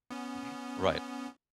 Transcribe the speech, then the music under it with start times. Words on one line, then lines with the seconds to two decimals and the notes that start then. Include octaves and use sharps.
Mhm. Right.
0.10 B3 C#4